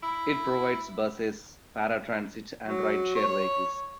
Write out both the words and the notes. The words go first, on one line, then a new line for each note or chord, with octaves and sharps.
It provides buses, paratransit, and rideshare vehicles.
E4
F#3
C#5